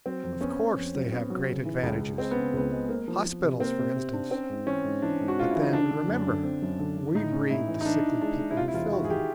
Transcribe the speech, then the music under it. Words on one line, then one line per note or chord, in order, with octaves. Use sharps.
Of course they have great advantages--hospitals for instance; but then, remember, we breed the sickly people who fill them.
F#3 C4
F2
B3 C#4
B3
F2
F#3
B3
F#3
C#3
E3
C#2
C#2
G#3 C4
C#3 B3
C#2 B3
G#3
A#3
F3
F3
C3
A#3 C4
C3
C3
D4
C4 C#4
G#2
E3 C#4
G#2
E3 D4
G#2
F#4
G#3 F4
E4
E3
D#4
D3 D4
D3
F#2
D3
C4
F#2
D3
D3
A2 D#4
C#4
A2 E4
E3
D#4
E3 D4
E3
G#3 D4
G#3
E4
C3 F4
E4
E1 F4
D#3 F#4
G#4
D#3 G4